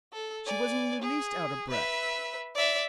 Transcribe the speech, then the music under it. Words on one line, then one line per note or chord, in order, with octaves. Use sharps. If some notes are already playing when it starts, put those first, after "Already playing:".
She wasn't in the least out of breath.
A4
D5 G#5
G#4
B4 E5
D5 E5